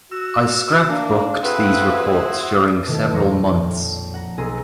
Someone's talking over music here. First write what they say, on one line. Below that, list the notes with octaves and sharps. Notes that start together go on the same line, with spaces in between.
I scrapbooked these reports during several months.
F#4 E6
A#3 D4 F5
C4 E4 F#4 G#4 A4 B4 C5
B2 D#3 A3 E4
A#1 F2 C#5 C6 C#6 A#6
F2
F#5 A#5
B1 G#4 A#5 C6 E6 D#7